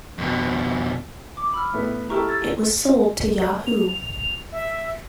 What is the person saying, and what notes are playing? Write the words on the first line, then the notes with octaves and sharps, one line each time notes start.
It was sold to Yahoo!
F2 B2
D6
B5 E6 F6
A2 A3 B3
E4 G4 A4 A#5 C#6 F6
E6 G#6 A6
F7
E5